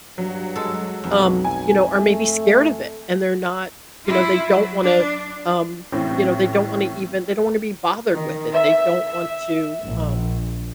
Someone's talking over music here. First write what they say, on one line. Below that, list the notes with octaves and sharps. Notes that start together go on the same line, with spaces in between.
um, you know, are maybe scared of it and they're not, you know, they don't wanna, um, you know, they don't want to even they don't want to be bothered with it. They don't want to, um,
G2 F#3
G#3 A4
B1 F2
G#5
A3
E4 F4
F#3
D4
A1 A2 E3 C4
D#3
E5
E5
A#1